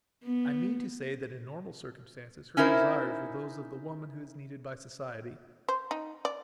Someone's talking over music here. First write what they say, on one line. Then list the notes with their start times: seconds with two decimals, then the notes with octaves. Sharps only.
I mean to say that in normal circumstances her desires were those of the woman who is needed by society.
0.24 B3
2.57 C#4 D#4 E4 A#4 C5
5.69 C5
5.91 D#4
6.25 D5